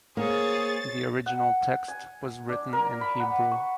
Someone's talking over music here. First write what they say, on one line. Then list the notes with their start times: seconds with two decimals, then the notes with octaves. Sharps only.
The original text was written in Hebrew.
0.17 A#3 G#4 C5 C#5 A6
1.26 F#5
1.88 G#5
2.49 D4
2.73 A#4
3.01 B5
3.20 F#5
3.51 C#6